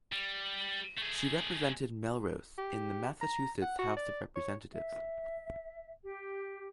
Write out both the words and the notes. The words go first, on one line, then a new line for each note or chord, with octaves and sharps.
She represented Melrose in the Massachusetts House of Representatives.
G3
A3 G#4
G4
A#5
F#5
F#4
D5
C#5
E5
G4